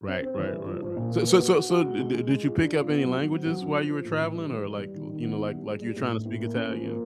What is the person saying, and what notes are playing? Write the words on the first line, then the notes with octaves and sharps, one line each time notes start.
Right, right, right, right. So it so so so did did did you pick up any languages while you were traveling, or, like, you know, like like you're tryna speak Italian?
C4
C4
E3
G3
F3
F3
A#2
A#3
B4
F#4
F#4
F#4
G#3
G#3
G#3
G#3
F4
D4
F4
B3
F#3
F#3
C4
F#3
C#4
F3
F3
A2
E3
G3
E3
G3
G3
D#3
D#3
B3
E4
G3
G#4
G3
A2
A2
A2
A#3
C#4
F3
A#3